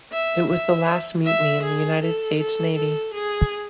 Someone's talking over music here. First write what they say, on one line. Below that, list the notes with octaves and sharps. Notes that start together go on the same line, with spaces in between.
It was the last mutiny in the United States Navy.
E5
E5
E5
G#4
A4
A4
A4
G#4